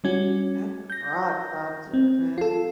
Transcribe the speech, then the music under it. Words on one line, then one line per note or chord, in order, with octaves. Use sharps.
That's a broad subject, man.
G3 C#4 F#4
G6 A#6
C4
F4 A4